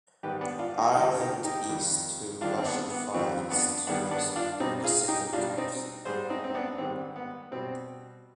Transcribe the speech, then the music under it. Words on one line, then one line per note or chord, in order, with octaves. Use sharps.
Ireland east to Russian Far East to the Pacific coast.
G#2 D#3 G3 G4 B4
B3 D4
D4 F4
D#4 G4
G2 D3 F3 D#4 G4
D#4 G4
D#4 G4
F2 D#3 G3
G2 D#3 G3 D4 F4
C4
B3 D4
B3
F2 D#3 G3 C4
B3 D4
G2 D#3 G3 B3 D4
B3 D4
D4 F4
B2 G3 C4 D#4
F4 G#4
D#4 G4
B2 G3 D4 F4
C4 D#4
G#2 G3 G#4 C5
C4 D#4
C4
B3 D4
G#2 D#3 G3 C4
B3
B2 G3 C4